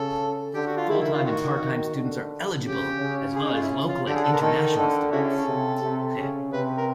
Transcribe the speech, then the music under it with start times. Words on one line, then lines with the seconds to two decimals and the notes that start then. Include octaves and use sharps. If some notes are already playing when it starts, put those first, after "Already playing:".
Full-time and part-time students are eligible, as well as local and internationals students.
Already playing: C#3 A4
0.54 D3 G4
0.67 F#4
0.77 F4
0.89 D#3 E4
1.02 E4
1.13 F4
1.24 D#3 F#4
1.60 D#3
1.96 D3
2.66 C#3 G4
3.01 C#3
3.36 G#4
3.45 D#4
3.54 F4
3.62 E4
3.89 F4
4.07 D3 G4
4.15 G#4
4.24 A4
4.33 A#4
4.41 D#3 A4
4.78 D3
5.12 C#3 E4 F#4 A4
5.48 C3
5.83 C3
6.18 C#3
6.53 C3 B4
6.78 A#4